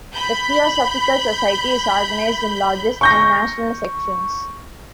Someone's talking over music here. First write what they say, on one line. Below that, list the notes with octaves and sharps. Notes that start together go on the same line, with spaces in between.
The Theosophical Society is organised in lodges and national sections.
B5 G6
C#6 G6 A#6